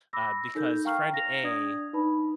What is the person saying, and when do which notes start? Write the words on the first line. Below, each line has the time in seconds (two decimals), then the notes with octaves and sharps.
uh, because friend A
0.13 B5 D6 E6 A#6
0.55 D#4 A4 A#4 G6
0.85 F5 G5 A#5 C#6 F6 C7
1.14 A#6 F7
1.43 D4 D5 D#6 G#6
1.93 D#4 B4 A5 B5